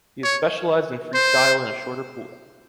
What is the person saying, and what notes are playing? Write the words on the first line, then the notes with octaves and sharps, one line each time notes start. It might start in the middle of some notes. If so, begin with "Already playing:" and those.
He is specialized in freestyle in a shorter pool.
C#5
C5